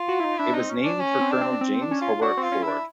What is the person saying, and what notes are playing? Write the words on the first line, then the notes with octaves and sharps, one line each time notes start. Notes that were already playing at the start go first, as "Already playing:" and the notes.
It was named for Colonel James Hobart Ford.
Already playing: F4
F#4
E4
D#4
D4 E4
D#4
C4
C#4
D4
C#4
C4
D4
C4
C4
D4
C#4
F4
D4 F#4
C4
F4
C#4
D4 E4